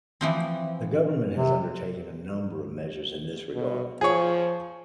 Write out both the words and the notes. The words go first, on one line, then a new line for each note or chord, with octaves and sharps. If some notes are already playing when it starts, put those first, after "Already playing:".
The Government has undertaken a number of measures in this regard.
E3 F3 C4
C3
B2
F3 G#4 C#5